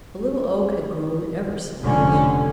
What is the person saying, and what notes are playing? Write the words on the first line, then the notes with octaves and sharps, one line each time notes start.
The Little Oak had grown ever so much.
F1 D3 C#4